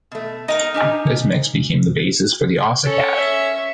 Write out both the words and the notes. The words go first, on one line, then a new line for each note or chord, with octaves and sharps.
This mix became the basis for the Ocicat.
B2 A3
D#4 A#4 D#5
D4 G4 G#5
C#4 A4
E5